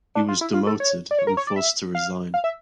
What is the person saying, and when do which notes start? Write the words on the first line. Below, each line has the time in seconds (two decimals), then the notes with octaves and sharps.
He was demoted and forced to resign.
0.15 D4
0.29 F4
0.41 E4
0.54 F4
0.67 A4
0.80 C#5
1.11 D5
1.19 C#5
1.27 A#4
1.37 C#5
1.47 D5
1.56 E5
1.95 F5
2.34 F5
2.44 E5